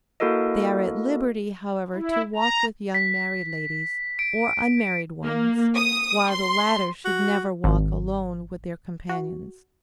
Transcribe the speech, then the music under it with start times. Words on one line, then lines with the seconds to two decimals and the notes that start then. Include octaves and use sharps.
They are at liberty however to walk with young married ladies or unmarried ones, while the latter should never walk alone with their companions.
0.20 A#3 E4 F#4 A4 A#4 D#5
1.96 E4
2.36 A#5
2.94 B6
4.19 D7
5.24 A#3
5.76 D#6
6.30 C6
7.05 F#4
7.64 G#1
9.09 F#4